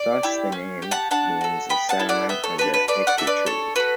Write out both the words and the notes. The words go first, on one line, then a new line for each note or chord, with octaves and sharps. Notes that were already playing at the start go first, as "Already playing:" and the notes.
Thus, the name means a settlement under aluku trees.
Already playing: D5
E4 G4
C#4
G4
F#5 A5
D4 F#5 A5
F#4 A4
B3 G5 B5
F#5 A5
E4 A4
D5 F#5
B3 E5 G5
A4 C#5
D4 F#4 B4
B4
A3 B4 D5
D5 F#5
D4 F#4 A4 E5
B4 D5
D4 A4 C#5
F#4 A4 B4